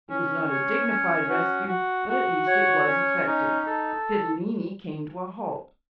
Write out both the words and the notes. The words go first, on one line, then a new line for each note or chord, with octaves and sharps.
It was not a dignified rescue, but at least it was effective; Fidilini came to a halt.
C#4
C#5
C#4
F#4
F#4
F#4
C#5
C#4
D#4
A4